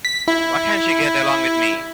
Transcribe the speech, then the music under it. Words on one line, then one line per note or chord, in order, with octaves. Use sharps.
Why can't she get along with me?
B6
E4